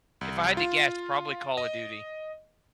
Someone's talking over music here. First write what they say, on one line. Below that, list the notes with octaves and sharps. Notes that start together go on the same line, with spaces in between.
If I had to guess, probably Call of Duty.
C2
F4
D#5